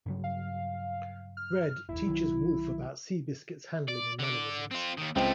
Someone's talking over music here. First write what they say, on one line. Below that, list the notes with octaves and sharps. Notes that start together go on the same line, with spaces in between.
Red teaches Woolf about Seabiscuit's handling and mannerisms.
G2 C#3 F#3
F5
F6
F#1 D#2 E4
B1 D#3 F#3
D5
D3 D5
C4 F4
D#2 D#3
C#2 A3 C4 F4 G5